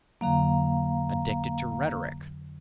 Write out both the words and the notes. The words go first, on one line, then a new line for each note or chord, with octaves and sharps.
Addicted to rhetoric.
F2 D3 F#3 A#3 F5 A#5